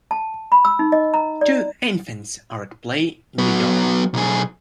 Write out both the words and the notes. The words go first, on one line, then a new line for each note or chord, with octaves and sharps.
Two infants are at play in the yard.
A5
B5
E6
D#4
D#5
A#5
D5
F#3 B3
B1 G#4